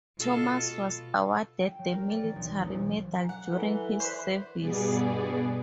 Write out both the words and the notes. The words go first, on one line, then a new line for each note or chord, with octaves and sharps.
Thomas was awarded the Military Medal during his service.
B2 F4 A4
G5
F#3
A#4
D5
E3
B1
E1
F#3 G#5 A#5
F#5
E3 A4 G#5
B4 C5 D5 E5
G2 B2 B3 G#4 D5